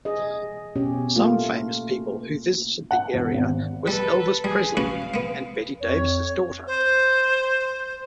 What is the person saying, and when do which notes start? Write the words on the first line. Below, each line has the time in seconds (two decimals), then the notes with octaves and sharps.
Some famous people who visited the area was Elvis Presley, and Betty Davis' daughter.
0.05 G#4 D#5
0.76 B2 C#4 G4
1.16 A3 A#3 F4
2.91 F#5
3.14 E1
3.34 G#1
3.87 G3 A4 B4
4.44 G3 G#4
4.77 C#4 F#4 B4 F5
5.14 A#3 B3
5.80 F2 C#5
6.67 C5